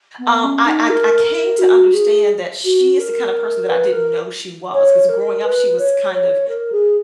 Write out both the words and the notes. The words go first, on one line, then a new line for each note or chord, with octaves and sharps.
um, I I I came to understand that she is the kinda person that I didn't know she was, 'cause growing up, she was kind of,
B3
C#4
D#4
A#4
A#4
F#4
G#4
F#4
A#4
B4
A#4
C#5
A#4
B4
C#5
C#5
A#4
G#4